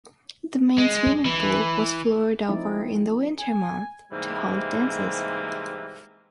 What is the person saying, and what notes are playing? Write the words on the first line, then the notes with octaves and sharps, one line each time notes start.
The main swimming pool was floored over in the winter months to hold dances.
G#3
E3
F3 A3 C4 D#4 E4 D5
G#5
G#2 C3 E3 G3 G#3 A#3